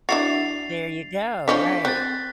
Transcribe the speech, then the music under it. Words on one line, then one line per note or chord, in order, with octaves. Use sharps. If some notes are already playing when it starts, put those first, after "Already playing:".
There ya go. Right.
D4 E4 F#4 A6 C7 F7
F3 C#4 D4 B6
C4 F#6 A6